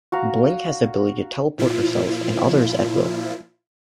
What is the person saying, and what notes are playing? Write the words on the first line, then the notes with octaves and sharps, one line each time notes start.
Blink has the ability to teleport herself and others at will.
F#4 F5 A#5
A#2 F3 E4 F4